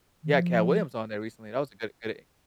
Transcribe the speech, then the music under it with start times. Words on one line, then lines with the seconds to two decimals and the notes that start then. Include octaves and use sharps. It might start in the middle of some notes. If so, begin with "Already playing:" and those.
He had Katt Williams on there recently, that was a good good e
0.23 D#3
0.33 F3